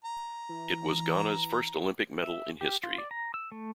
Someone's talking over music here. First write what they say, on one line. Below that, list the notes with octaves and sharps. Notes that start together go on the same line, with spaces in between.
It was Ghana's first Olympic medal in history.
A#5
E3
E5
G4
F4
D5
A#5
E6
A3